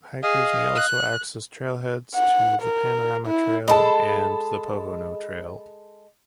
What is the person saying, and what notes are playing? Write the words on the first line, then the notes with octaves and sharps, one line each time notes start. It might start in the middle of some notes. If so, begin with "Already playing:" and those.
Hikers may also access trailheads to the Panorama trail and the Pohono trail.
G#4 D#5 F5
F#6
F#5
A#4
E4
G#3 A4 A5 B5